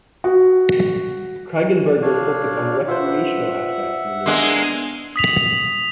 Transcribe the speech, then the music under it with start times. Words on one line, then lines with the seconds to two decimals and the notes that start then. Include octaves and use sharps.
Kraggenburg will focus on recreational aspects in the near future.
0.24 F#4
2.02 D4 C#5 F5
2.88 F4 B4 C5 E5 F#5
4.26 G#3 A#3 B3 D4 C6
5.16 D#6 B6 F7